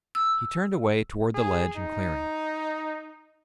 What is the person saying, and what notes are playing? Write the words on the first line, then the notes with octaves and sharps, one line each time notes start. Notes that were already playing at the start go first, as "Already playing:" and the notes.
He turned away toward the ledge and clearing.
E6
G#4
D#4